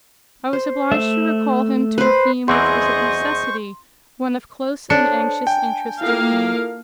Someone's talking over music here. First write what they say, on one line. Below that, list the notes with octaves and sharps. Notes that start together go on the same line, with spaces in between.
I was obliged to recall him to a theme which was of necessity one of close and anxious interest to me.
C5
A3 E5
B4 C5
E2 E3 C4 G#4 C5 D#5 C6 C#6
D4 A4 C5 C#5 C#7
G5 G#5
A#3 E4 F4 A4 A#4 F5